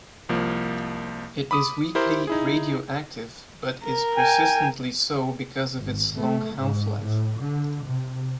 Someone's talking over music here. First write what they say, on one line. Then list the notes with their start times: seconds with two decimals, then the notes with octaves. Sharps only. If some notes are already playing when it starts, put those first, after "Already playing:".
It is weakly radioactive but is 'persistently' so because of its long half-life.
0.29 C2 F3 A#3
1.51 B5 D6 D#6
1.95 E4 G4 A#4 C5
2.27 D#4 E4 G#4
3.84 A#4
4.17 G5 G#5
5.82 G#1
6.18 A3
6.56 G#2
7.05 A2
7.43 D3
7.87 C3